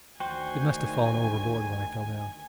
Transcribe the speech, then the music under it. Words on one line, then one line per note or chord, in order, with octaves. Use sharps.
It must have fallen overboard when I fell down.
D2 D#3 F#4 C5 G5 G#5